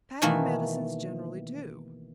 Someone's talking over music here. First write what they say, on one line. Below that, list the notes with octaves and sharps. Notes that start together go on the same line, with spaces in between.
Patent medicines generally do.
B2 D#3 E3 A3 A#3